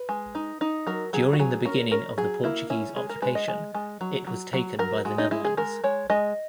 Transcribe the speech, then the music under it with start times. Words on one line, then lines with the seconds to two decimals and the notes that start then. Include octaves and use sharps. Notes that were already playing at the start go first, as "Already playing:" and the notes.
During the beginning of the Portuguese occupation, it was taken by the Netherlands.
Already playing: B4
0.09 G#3
0.35 D#4
0.61 D#4
0.87 F#3 A#4
1.13 F#3 G#4
1.33 F#4
1.39 F#3 G#4
1.65 C#4 A#4
1.91 C#4 A#4
2.18 F#3 G#4
2.44 A#3 E4
2.70 C#4 E4
2.96 G#3 G#4
3.09 A#4
3.22 G#3 B4
3.35 D#5
3.48 G#3
3.75 G#3
4.01 F#3
4.27 F#3
4.53 F#3
4.79 F#3 A#4
5.05 G#3 F#4
5.18 D#4
5.31 G#3 E4
5.45 G#4
5.57 G#3 A#4
5.84 G#3 C#5
6.10 G#3 D#5